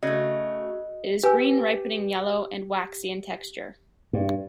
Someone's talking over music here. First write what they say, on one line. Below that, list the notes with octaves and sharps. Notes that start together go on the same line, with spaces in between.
It is green, ripening yellow, and waxy in texture.
C#3 A3 F#4 D#5
G4 B4 G#5 E6
G2